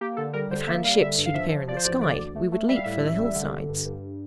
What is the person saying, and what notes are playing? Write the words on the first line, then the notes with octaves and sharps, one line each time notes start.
If Han ships should appear in the sky, we would leap for the hillsides.
A#3 G4
D3 A4
G3 A#4
D3 C5
A#3 E5
G3 F5
D3 E5
G2
F5
F3 E5
F3
F3 D5
C5
A1 D5
D3 D5
D2
A3
A3
G3 E5
F5
A2 E5
A1
G3
D3
D3
G2
G2